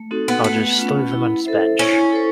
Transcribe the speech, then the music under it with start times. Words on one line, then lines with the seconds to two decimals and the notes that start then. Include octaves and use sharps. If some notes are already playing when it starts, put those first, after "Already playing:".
I'll just leave them on this bench.
Already playing: A3
0.11 C4 D#4 F#4 A4
0.28 B3
0.44 A3 B3
0.78 C#4 F4
1.12 E4
1.45 A4 C5 E5
1.79 C#4 E4
2.12 A4 C5